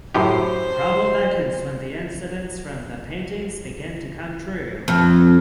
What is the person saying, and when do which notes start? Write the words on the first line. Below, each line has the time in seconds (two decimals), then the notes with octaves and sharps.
Trouble beckons when the incidents from the paintings begin to come true.
0.14 F#2 A2 G4 C5
4.88 F2